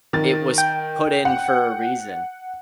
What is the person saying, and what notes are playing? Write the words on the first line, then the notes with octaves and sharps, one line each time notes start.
it was put in for a reason.
D#3 A6
G5
F#5